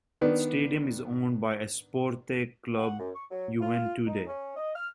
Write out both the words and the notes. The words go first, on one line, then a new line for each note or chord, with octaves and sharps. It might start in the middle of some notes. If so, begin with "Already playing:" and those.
The stadium is owned by Esporte Clube Juventude.
D#3 B3 D4
F#5
F#2
C#6
F#3
F4
D#4
C#4
D#5
F6